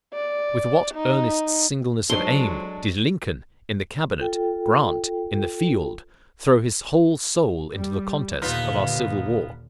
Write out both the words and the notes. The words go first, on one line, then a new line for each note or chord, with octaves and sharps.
With what earnest singleness of aim did Lincoln in the cabinet, Grant in the field, throw his whole soul into the contest of our civil war?
D5
D#4
F3 F#3 G#3 C4 D4 D#4 A4 C6
F4 A4 G5
G3
D#2 A#2 D3 B3 D#4 F4